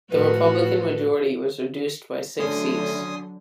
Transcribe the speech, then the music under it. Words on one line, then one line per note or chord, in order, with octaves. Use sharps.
The Republican majority was reduced by six seats.
A2 F3 F#4 B4
D3 F#3 A3 C#4 G#5 C6 D#6